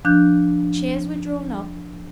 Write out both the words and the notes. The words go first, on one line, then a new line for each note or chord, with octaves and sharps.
Chairs were drawn up.
F3 D4 F#6 G6